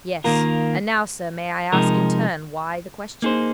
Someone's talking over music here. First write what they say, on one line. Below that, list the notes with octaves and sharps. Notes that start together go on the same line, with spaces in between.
"Yes; and now, sir, may I ask in turn why the question?"
D#3 A#3 F4 A#4
C3 F3 G#3 D#4 A#4
A#3 D#4 G#4 C5